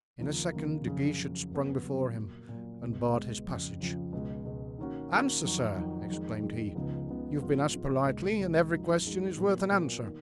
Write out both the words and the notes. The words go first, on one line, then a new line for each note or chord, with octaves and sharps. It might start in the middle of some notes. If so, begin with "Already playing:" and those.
In a second De Guiche had sprung before him and barred his passage. "Answer, sir," exclaimed he; "you have been asked politely, and every question is worth an answer."
D#2 C#3 F3 A#3
D#2 C#3 F3 A#3
F2 C#3 F#3
F2 C#3 F#3
F#2 C#3 F#3 B3
F#2 C#3 F#3 B3
A#2 F#3 A#3
A#2 F#3 A#3
C#2 B2 G#3 B3
C#2 B2 G#3 B3
F2 C#3 F3
F2 C#3 F3
C#2 B2 G#3
C#2 B2 G#3
D#3 A#3 C#4 F#4
D#3 A#3 C#4 F#4
F2 D#3 F#3
F2 D#3 F#3
F2 D#3 G#3
F2 D#3 G#3
C#2 C#3 F3 B3 D#4
C#2 C#3 F3 B3 D#4
G#2 F3 G#3 B3 F4
G#2 F3 G#3 B3 F4
C#2 B2 G#3
C#2 B2 G#3
F#2 F3 G#3 D#4 F#4
F#2 F3 G#3 D#4 F#4
A#2 F#3 B3 F4
A#2 F#3 B3 F4
D#3 A#3